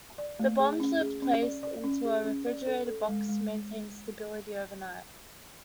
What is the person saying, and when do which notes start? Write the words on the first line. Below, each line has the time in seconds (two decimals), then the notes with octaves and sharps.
The bombs were placed into a refrigerated box to maintain stability overnight.
0.18 D5
0.39 A3
0.59 G#4
0.80 C#4
1.01 G#4
1.22 C#4
1.43 D5
1.63 D5
1.84 C#4
2.05 G#4
2.25 C#4
2.47 D5
2.67 A4
2.87 A4
3.08 G#3
3.29 G#3